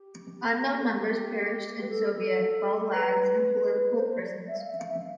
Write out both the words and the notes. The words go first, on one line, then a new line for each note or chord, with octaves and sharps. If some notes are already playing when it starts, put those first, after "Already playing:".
Unknown numbers perished in Soviet "gulags" and political prisons.
Already playing: G4
A4
G4
B4
A4
B4
A4
B4
C5
C5
D5
E5
F5
E5
F5
E5
F5